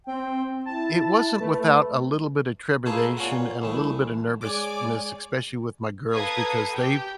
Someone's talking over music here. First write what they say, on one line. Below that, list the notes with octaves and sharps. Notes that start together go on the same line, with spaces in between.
it wasn't without a little bit of trepidation and a little bit of nervousness, especially with my girls because they
C4 G5
E4 A5
A3 B4
A3 A#3 F4 G#4 A4 B4
A#2 C#4 F4 F#5
C2 E3 A3
G#3 C#5 D5 G#5 D6
A4 B4 F5 A#5 D#6 G#6
G4 G5